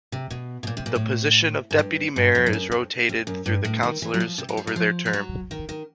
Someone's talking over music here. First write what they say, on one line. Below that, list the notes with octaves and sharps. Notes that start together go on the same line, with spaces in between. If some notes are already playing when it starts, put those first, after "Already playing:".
The position of deputy mayor is rotated through the councillors over their term.
C3
B2
B2
A#2
C3
A#2
A2
G#2
G2
G2
F2
G2
F#2
F2
F2
F#2
G2
A2
D#3
E3
F#3
F3
C3
F#3
F3
F#3
F3
F3
F#3
D#3
D#3